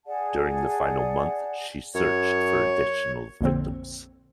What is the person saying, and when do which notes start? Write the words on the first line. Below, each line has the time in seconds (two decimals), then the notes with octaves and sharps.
During the final month she searched for additional victims.
0.07 G#4 D5 F#5 A5
1.95 F#2 C#5
3.41 A#1 F2 A#2 D3 C4